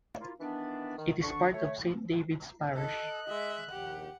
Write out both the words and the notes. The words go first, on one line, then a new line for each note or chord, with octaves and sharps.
It is part of Saint David's Parish.
A#3 E4 F4
D#3 E3 B3 D4
D#3
D3 D4 C#6
A3 C#5
A4 D#5 F#6
G#3 E5
A#1 D#2 G4 F#5